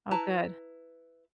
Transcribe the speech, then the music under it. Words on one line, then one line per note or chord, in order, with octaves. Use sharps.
Oh, good.
E4 B4 A5 A#5